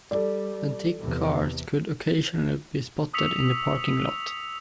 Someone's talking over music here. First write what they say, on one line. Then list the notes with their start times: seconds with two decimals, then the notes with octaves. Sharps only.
Antique cars could occasionally be spotted in the parking lot.
0.11 G3 A4 D5
0.99 E2 C3
3.13 C#6 D#6 E6 B6 C#7 F7